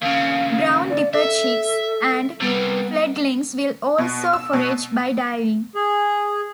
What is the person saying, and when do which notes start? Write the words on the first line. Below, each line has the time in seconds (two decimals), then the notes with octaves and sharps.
Brown dipper chicks and fledglings will also forage by diving.
0.02 D#2 C#3 F5
0.90 D5
1.14 A4 E5
2.41 C3 G3 B3
3.98 B2
4.33 E6
4.53 B2
5.75 G#4